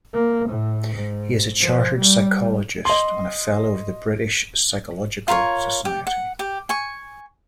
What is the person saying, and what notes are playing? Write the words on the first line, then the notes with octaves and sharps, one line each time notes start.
He is a Chartered Psychologist and a Fellow of the British Psychological Society.
A#3
A2
G#2
F3
G3
D#5 C6
F4 A#4 B4 C#5
G4
F#5
G4
G#5 C#6